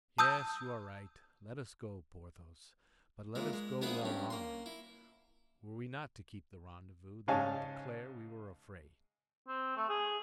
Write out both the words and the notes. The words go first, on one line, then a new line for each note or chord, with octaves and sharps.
Yes, you are right; let us go, Porthos, but let us go well armed; were we not to keep the rendezvous, they would declare we were afraid.
A5 D#6 E6 G6
A#2 E3 G#3
G#3
A#1 B3 E4 G#4 B5 D#6
G2 C#4
A#3 C6
E4
G#2 C#3 C#5 F5 G#5 A5
C4
A3
G#4